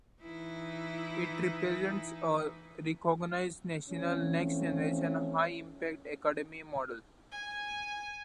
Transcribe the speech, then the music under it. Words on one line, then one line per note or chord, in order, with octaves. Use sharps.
It represents a recognized national next-generation high-impact academic model.
E3 D#4 E4
E3 F3 A3 C4 C#4
G#5